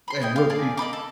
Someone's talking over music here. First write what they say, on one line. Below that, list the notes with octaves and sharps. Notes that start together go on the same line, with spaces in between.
and will she m
B5 C6
B3 E4 D#5 G5
F5 D6
G#4 D5 F5 A5
A#3 D#5 B5 D6
A4